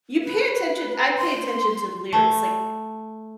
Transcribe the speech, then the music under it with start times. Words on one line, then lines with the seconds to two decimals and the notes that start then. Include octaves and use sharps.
you pay attention, I pay attention to lyrics, like,
0.24 B4
1.17 C6
2.13 A3